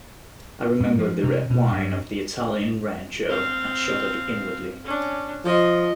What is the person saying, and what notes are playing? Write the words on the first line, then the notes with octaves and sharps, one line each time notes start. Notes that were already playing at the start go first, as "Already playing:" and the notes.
I remembered the red wine of the Italian rancho, and shuddered inwardly.
G#2
F3
C3
B2
G2
C4 F5
C#4 D4
F3 D#5